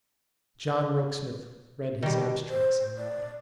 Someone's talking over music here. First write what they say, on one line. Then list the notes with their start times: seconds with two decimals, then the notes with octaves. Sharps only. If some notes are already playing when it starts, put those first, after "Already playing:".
John Rokesmith read his abstracts aloud.
2.03 B2 D#3 G3
2.50 C5
2.98 D5